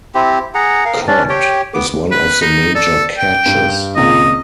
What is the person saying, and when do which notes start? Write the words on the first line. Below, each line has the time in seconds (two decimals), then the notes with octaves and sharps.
Cod is one of the major catches.
0.15 C4 E4 G4
0.55 G#4 F#5 A#5
0.85 A#4 F5
1.08 C#4 D4 D5
1.29 G4 C#5 G5
1.74 B3 D6
2.11 B4
2.41 D#4
2.75 A4 D5
3.18 G5
3.46 G2
3.96 G#1 C#2 A#2 D#5